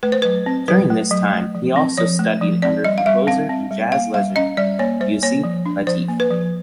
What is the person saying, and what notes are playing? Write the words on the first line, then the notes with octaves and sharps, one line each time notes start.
During this time, he also studied under composer and jazz legend, Yusef Lateef.
A3 B4
C5
F#3 B4
C4
F#3 B4
A3
F#3
A3
F3
C4
F3 C#5
A3
F3
C4 D5
G3 D#5
F5
G3 E5
C4 F5
C4
G3
A#3 F5
G3 F5
C#4 D#5
G3 D5
A#3 C#5
G3 C5
A#3 C#5
F3
D4
F3 C5
A#3
B4
F3